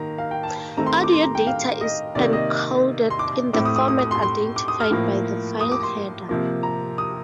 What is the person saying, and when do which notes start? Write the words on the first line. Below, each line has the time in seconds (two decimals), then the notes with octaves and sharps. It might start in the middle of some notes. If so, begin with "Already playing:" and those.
Audio data is encoded in the format identified by the file header.
Already playing: D#3 A#3 A#5
0.18 F5
0.31 G5
0.43 A5
0.77 D#3 A3 C4 A#5
0.86 C6
1.04 D6
1.12 C6
1.23 A#5
1.35 G5
1.47 F5
1.81 D#5
2.15 C3 D#3 A#3 D5
2.33 D#5
3.10 C6
3.19 D6
3.53 A2 A3 C4 D6
3.65 D#6
3.76 D#6
3.88 D#6
3.99 D#6
4.11 C6
4.22 C6
4.56 D6
4.68 D#6
4.80 F6
4.91 A2 F3 A#3
5.61 D#6
5.72 D6
5.83 C6
6.29 C3 F3 A#3
6.63 A#5
6.98 D#6